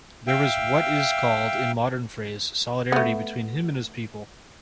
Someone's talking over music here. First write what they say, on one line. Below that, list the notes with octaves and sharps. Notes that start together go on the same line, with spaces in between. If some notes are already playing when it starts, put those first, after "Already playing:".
There was what is called, in modern phrase, solidarity between him and his people.
E5 F5 G5
A3 B3